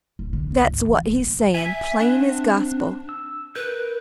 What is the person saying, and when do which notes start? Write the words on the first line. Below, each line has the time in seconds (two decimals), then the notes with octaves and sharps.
That's what he's saying, plain as gospel!
0.19 D1
0.33 D3
0.51 C#2
0.69 G#1
0.88 E3
1.04 D#1
1.16 B3
1.54 E5 G#5
1.99 C4 D4 F#5
3.09 E6
3.55 A#4 B4 F#6 G6